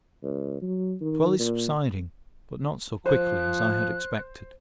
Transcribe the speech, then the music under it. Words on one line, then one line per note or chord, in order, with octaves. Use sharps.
The swell is subsiding but not so quickly as I had expected.
C#2
F#3
D#3
A#2
F3 C5 F#6